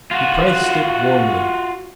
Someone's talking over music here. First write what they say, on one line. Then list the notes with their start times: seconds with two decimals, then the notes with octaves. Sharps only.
He pressed it warmly.
0.11 F4 F#4